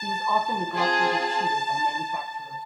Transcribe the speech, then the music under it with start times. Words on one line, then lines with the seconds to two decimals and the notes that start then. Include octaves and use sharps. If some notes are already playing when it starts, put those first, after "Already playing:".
He was often neglected or cheated by manufacturers.
Already playing: A5
0.72 C4 F4 G#4 A5